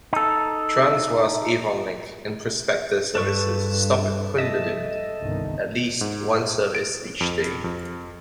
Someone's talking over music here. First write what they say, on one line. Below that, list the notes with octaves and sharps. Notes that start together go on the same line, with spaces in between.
Transwa's "Avonlink" and "Prospector" services stop at Cunderdin, at least one service each day.
D#4 A4
G2 A4 B4 C#6
A4 D#5 E5
G1 C2 D#3
G#2
D7
F2
F2